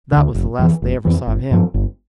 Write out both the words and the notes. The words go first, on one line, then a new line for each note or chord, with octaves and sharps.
That was the last they ever saw of him.
D2 D3
F1
F2 E3
F1
F2 E3
G1
G2 F3
G1